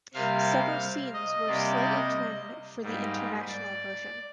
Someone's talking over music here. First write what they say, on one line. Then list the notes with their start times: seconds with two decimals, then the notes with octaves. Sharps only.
Several scenes were slightly trimmed for the international version.
0.14 C3 G3 A#3 F5
1.14 D#5
1.47 C3 G3 A#3 D5
1.82 D#5
2.82 G#2 G3 A#3
3.48 D5